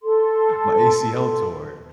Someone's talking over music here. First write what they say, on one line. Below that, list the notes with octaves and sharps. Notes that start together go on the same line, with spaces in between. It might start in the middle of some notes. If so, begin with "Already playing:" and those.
my ACL tore,"
A4 C6